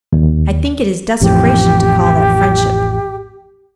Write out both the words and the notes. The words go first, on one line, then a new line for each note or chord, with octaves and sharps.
I think it is desecration to call that friendship.
D#2
A1 F2 A2 G4